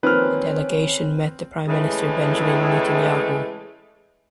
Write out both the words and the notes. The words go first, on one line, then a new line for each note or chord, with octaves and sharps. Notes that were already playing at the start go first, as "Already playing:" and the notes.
The delegation met the Prime Minister Benjamin Netanyahu.
D#3 F3 A#3 C4 C#4 B4 F6
A2 C#3 E3 G#3 A3